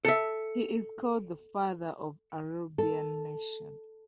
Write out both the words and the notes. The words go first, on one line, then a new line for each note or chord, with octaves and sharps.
He is called the father of the Aruban nation.
A4 E5
A4